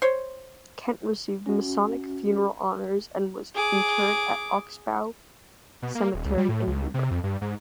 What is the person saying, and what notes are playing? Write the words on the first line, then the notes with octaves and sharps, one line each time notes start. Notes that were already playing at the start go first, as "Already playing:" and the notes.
Kent received Masonic funeral honors and was interred at Oxbow Cemetery in Newbury.
C5 C#5
C#4 F#4
G#4 D6
B2
A#3
D#1
C#2
G3
A2
C#2
C3
F2
G2
G#2